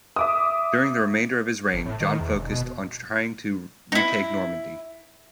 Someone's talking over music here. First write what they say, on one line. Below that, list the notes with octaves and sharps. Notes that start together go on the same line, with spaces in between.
During the remainder of his reign, John focused on trying to retake Normandy.
E5 D6 D#6
G1
A2
D#3
E2
E1
B2
D#4 E4